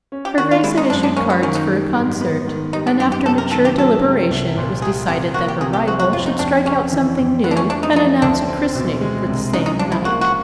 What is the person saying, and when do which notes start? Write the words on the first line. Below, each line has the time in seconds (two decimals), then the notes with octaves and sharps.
Her Grace had issued cards for a concert; and after mature deliberation it was decided that her rival should strike out something new, and announce a christening for the same night.
0.12 C#4
0.25 G4
0.38 D#3 F#4
0.51 F4
0.64 G#3 E4
0.78 D#4
0.90 F#2 D4
1.03 D4
1.16 A#3 C#4
1.30 B3
1.42 D#3 C#4
1.55 D#4
1.68 G3
1.95 G#2
2.21 B3
2.47 D#3
2.73 G3 D#4
2.87 D4
2.99 F#2 G4
3.12 G4
3.26 C3 A4
3.38 A#4
3.51 D#3 A4
3.65 G4
3.78 F#3 A4
4.04 C3
4.31 C2
4.57 A#2
4.82 G3 G#4
5.08 C2 G4
5.34 A#3 F#4
5.48 G4
5.61 C3 G#4
5.73 G4
5.87 F3 F#4
5.99 F#4
6.13 F2 F4
6.26 D#4
6.39 F2 D4
6.65 C#3 C#4
6.91 E3
7.18 F2
7.44 A3 B3
7.51 D4
7.57 C#4
7.70 D3 D4
7.83 D#4
7.96 F3 D#4
8.22 D2 D4
8.48 C4
8.75 B2
9.01 G#3
9.27 C2
9.53 C#3 D#4
9.66 D#4
9.79 F3 D4
9.92 E4
10.05 A#3 F#4
10.21 F#4